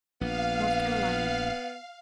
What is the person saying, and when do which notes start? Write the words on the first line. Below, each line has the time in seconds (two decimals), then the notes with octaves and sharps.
North Carolina.
0.21 A#1 B3 F5